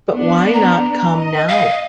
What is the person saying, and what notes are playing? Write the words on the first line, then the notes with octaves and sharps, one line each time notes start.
But why not come now?
B3 D4
A#5
D#5
F5